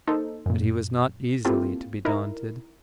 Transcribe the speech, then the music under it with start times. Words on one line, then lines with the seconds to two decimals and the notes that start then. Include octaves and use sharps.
But he was not easily to be daunted.
0.07 A#3 D#4 A4 C5
0.46 F#2 A#2
1.45 A#3 C4 E4 F4 G4 A4
2.05 D#4 E4 A#4